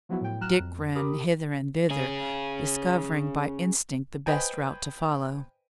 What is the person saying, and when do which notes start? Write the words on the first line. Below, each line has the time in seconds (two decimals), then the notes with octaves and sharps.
Dick ran hither and thither, discovering by instinct the best route to follow.
0.09 F3 F#3 B3 E4 F#4
0.21 A2 G5
0.41 F#3 A#5 F6 F#6 E7
0.59 F2
0.95 G4 A#4 B5 D6 D#6
1.90 C#4 G#4
4.26 B4 C5 D#5 G5 G#5